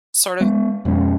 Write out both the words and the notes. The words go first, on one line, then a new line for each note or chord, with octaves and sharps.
sort of
G#3 B3
F2 B2 G#3 C#4